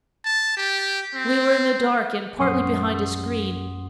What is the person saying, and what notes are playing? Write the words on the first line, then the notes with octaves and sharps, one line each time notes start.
We were in the dark and partly behind a screen.
A5
G4
C4
A#1 F#2 F#5 C6 D#6 C7